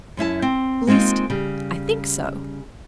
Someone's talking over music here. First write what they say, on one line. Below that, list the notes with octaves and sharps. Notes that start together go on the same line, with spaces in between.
'At least, I think so.
F#2 C#4 E4 A5
C4
G#3 A#3 C4 D#4 F4
C#3 G3